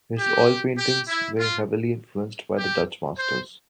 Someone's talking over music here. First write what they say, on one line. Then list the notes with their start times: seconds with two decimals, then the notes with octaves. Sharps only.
His oil paintings were heavily influenced by the Dutch Masters.
0.18 G4
0.78 G4
1.08 E4
1.37 F4
2.58 G4
3.18 C5